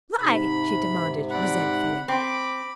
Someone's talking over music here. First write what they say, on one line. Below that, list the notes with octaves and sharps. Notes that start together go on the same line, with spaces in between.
"Why?" she demanded, resentfully.
G#2 C3 B5
C4 D5 F#5 B5
C4 B5 D6